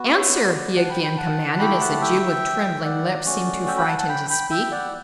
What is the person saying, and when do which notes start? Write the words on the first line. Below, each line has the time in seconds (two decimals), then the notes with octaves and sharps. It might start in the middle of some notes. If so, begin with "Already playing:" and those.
"Answer!" he again commanded, as the Jew with trembling lips seemed too frightened to speak.
Already playing: B3 F#4
0.13 C#5 E5
0.34 D5 F#5
0.76 F#5 A5
0.90 G5 B5
1.03 G5 B5
1.17 F#5 A5
1.59 A3 E4 G4 G5 B5
1.81 F#5 A5
2.01 E5 G5
2.84 D5 F#5
3.25 A3 C#4 F#4
3.67 E5 G5
3.77 G5 B5
3.88 F#5 A5
3.98 F#5 A5
4.08 G5 B5
4.30 G5 B5
4.51 E5 G5
4.72 D5 F#5